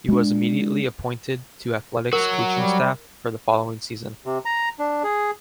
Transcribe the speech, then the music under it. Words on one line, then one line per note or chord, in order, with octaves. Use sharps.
He was immediately appointed to Athletic's coaching staff for the following season.
G#3 D4
F#3 F#4 A#4
G3
C3
A#5
D4
G#4